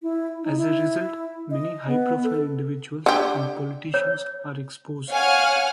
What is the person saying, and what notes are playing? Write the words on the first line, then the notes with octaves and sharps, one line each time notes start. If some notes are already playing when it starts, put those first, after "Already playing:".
As a result, many high profile individuals and politicians are exposed.
E4
D#4
E4
D#5
B3
A4
D3 G4
C#5
C#5 F5 F#5 G#5 F6